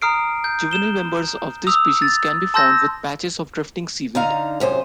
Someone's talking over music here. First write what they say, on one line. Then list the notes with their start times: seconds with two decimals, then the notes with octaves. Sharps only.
Juvenile members of this species can be found with patches of drifting seaweed.
0.02 A#5 D#6 F6 C7 D7
0.44 G6
0.71 E7 G7
1.67 D#6 E6 F7
2.02 A6
2.54 A5 C6 E6 G6 A#6
4.15 D3 D#4 F5 A#5
4.60 F#2 C3 G#4 C5